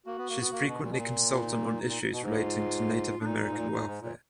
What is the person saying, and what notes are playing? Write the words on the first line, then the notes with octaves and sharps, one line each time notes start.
She is frequently consultant on issues relating to Native American welfare.
A#3 F#4
B3
A#3
B3
A#3
B2
A#2
B2
A#2 F4
F4
D#4
A#2
B2
G#2
F4
D4
A#2 D#4
A#2
G#2
A#2
A#2
G#2
A#2